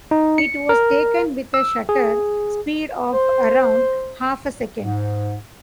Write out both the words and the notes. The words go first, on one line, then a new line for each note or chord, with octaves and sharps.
It was taken with a shutter speed of around half a second.
D#4
C#7
A#4
E6
G#4
C5
G#2